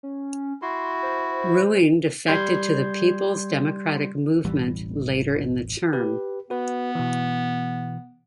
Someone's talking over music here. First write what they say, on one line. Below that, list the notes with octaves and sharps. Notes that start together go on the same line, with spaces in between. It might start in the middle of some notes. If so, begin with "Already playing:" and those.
Ruing defected to the People's Democratic Movement later in the term.
C#4
E4 F#4 C6
C5
G3 C6 G6 G#6
E1 A1 E3 G3
G4 B4
B3 F#4 B4
B2 E3